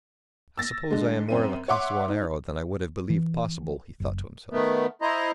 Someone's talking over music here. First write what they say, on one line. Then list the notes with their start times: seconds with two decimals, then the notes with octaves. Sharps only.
"I suppose I am more of a Costaguanero than I would have believed possible," he thought to himself.
0.58 E6 A6 A#6
0.90 D3 G#3
1.29 F#2 C4 D#7
1.68 C#5 E5 F#5 C6 D6
2.08 D#4
3.10 E3
4.00 F#1
4.51 D#3 A3 B3
5.02 E4 C5 D#5 A#5